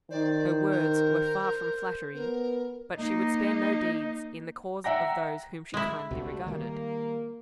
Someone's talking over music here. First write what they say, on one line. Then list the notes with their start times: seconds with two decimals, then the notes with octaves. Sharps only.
Her words were far from flattery; but she would spare no deeds in the cause of those whom she kindly regarded.
0.11 D#3 C5 D5
0.71 A#4
2.15 B3 A#4
2.97 A#3 D#4
4.84 E5 F#5 G5 A#5 A#6
5.74 G#3 E4
6.11 C2 G2 C3 A3 F#4
6.46 D#3 G3 A#3